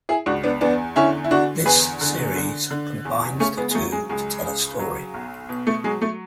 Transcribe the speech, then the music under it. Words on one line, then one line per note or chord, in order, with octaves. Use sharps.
This series combines the two to tell a story.
E4 G#4
C#2 D4 F#4
B3 D4
E2 B3 D4
D3 C#4 E4
E4
D3 D4 F#4
E2 G#4 B4
D3
D3
D3
E2
C#3 A3 C#4
G#3 B3
G#3
F#3 A3
G#3
C#2 G#3
C#3
F#3
B1
B2
A3
F#3 G#3
A3